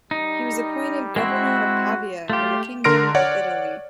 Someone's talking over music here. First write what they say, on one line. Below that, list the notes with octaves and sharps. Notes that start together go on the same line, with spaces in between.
He was appointed Governor of Pavia in the Kingdom of Italy.
G3 D#4
G#3 C4 E4 F#4
A3 F4 G4
D3 A#4 C6 F6 A#6 D7
C#5 D5 F#5